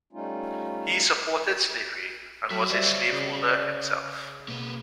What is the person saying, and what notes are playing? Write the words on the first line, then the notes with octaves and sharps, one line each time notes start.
He supported slavery and was a slaveholder himself.
G3 A3 C#4 D#4 F4
F#3 F#4 B6
G3 C5 D5 E5
C#5 F5
C#3
B2 A#3 B4